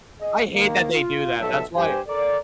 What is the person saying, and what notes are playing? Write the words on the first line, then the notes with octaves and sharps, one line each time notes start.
I hate that they do that, that's why
G#4 D#5
D#3 A#3
F4
B1 F3 F#3 A4 E5
G2 G4 C5 G#5
A4 A#4 D5